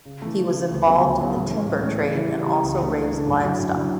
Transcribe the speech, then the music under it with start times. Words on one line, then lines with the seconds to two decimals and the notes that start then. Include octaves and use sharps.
He was involved in the timber trade and also raised livestock.
0.05 C#3
0.22 E3 A3
0.38 C#3
0.54 E3 A3
0.71 D2
0.86 C#3 F#3 B3
1.02 D2
1.18 C#3 F#3 B3
1.35 A2
1.50 E3 A3 C#4
1.67 A2
1.83 E3 A3 C#4
1.98 C#3
2.15 E3 G3 C#4 E4
2.31 C#3
2.47 E3 G3 C#4 E4
2.63 C#2
2.80 C#3 E3 A3 D4
2.95 C#2
3.12 C#3 E3 A3 D4
3.28 F#2
3.44 D3 F#3 C#4 E4
3.59 F#2
3.76 D3 F#3 C#4 E4